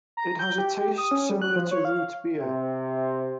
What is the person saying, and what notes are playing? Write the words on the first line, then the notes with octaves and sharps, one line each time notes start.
It has a taste similar to root beer.
A#5
G6
G4
G4
D#6
C#4
G3
F#6
F3
C#5
F5
C3